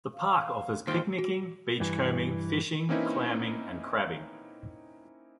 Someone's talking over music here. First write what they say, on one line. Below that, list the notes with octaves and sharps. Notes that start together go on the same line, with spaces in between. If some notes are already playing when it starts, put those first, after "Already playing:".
The park offers picnicking, beachcombing, fishing, clamming, and crabbing.
F5
D#2 G#2 F4 G5
F#4
G2 E3
A#3 C4 C#4 D#4 E4 B4